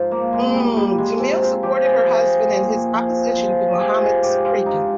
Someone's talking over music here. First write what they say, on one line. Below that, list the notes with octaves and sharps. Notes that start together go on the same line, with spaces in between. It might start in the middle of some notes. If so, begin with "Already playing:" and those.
Umm Jamil supported her husband in his opposition to Muhammad's preaching.
Already playing: G#2 F3
A#3
A#2 G#3
G3
A#2 G3
G#3
F3 C4
C4
F3 G4
G#4
F3
A#2
F3
F3
G4
F3 G#4
G#4
G#2 G4
F4
G2 D#4